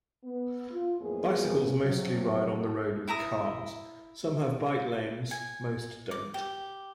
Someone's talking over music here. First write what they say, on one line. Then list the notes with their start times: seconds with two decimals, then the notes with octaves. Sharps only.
Bicycles mostly ride on the road with cars; some have bike lanes, most don't.
0.23 B3
0.71 F4
1.00 F2 A2 F#3 A#3 B3 G#4
1.81 F2 C3 F3 F#3
3.07 E4 E5 A#5 D#6
5.31 G#5
6.11 D6
6.34 G4